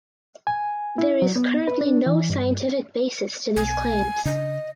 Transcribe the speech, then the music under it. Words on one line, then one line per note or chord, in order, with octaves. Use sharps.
There is currently no scientific basis to these claims.
G#5
E4
F#3
B3
B4
D4
E3
G2
B1 G#5
C#3 D4 D#5